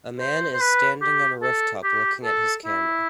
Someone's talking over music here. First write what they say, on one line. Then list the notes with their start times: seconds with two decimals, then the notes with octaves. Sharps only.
A man is standing on a rooftop looking at his camera.
0.20 C5
0.54 C5
0.61 B4
1.02 G4
1.43 A4
1.84 G4
2.25 A4
2.66 E4